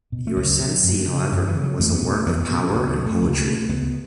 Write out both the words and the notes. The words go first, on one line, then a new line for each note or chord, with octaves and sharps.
Your "Cenci", however, was a work of power and poetry.
B2
A3
C#2 F#3
B2
F#2
C#3
F#2 F#3
E3
C#3
F#3
E2 A3
B3
B2
A3
E2 B3
B3
B2
C#4
C#2 B3
F#3
B2
A3
C#2
B2
C#2 B3